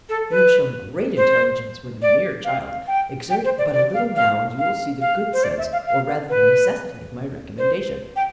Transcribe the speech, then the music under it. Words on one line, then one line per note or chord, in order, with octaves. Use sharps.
You have shown great intelligence when a mere child; exert but a little now, and you will see the good sense, or rather the necessity, of my recommendation.
A4
B4
C5
D5
F5
G5
G5
C5
D5
D5
F5
F5
F5
F5
C5
D5
E5
F5
F5
B4
C5
G5